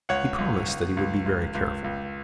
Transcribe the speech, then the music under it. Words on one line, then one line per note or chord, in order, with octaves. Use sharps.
He promised that he would be very careful.
C#2 C#5 F#5
C#2
C#2
C#2
C#2
C#2
C#2